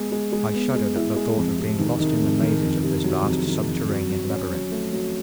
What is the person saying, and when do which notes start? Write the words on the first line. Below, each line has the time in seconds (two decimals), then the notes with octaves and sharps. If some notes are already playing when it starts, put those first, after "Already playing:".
I shuddered at the thought of being lost in the mazes of this vast subterranean labyrinth.
Already playing: G#3 B3
0.12 G#3
0.32 G#3
0.54 B3
0.75 G#3
0.96 E4
1.16 G#3
1.37 F2
1.59 C3
1.79 D#3
2.00 D#3
2.22 F2
2.41 D#3
2.63 F2
2.83 C3
3.04 F#3
3.26 F2
3.47 D#3
3.68 F2
3.89 F#4
4.09 F#3
4.30 C#4
4.52 F#3
4.71 A3
4.93 F#3